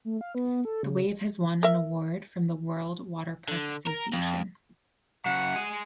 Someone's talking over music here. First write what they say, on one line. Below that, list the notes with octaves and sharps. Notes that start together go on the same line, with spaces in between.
The Wave has won an award from the World Waterpark Association.
A3
F5
B3
A4
C#3
A#4 E5
D3
A#4
F2
C#3 F#3 F#5
G#4 D#5